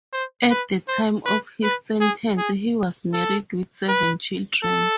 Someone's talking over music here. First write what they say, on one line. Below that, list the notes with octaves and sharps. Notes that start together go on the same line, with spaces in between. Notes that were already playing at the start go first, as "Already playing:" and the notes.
At the time of his sentence he was married with seven children.
C5
B4
C5
B4
B4
G#4
G#4
A4
B4
A4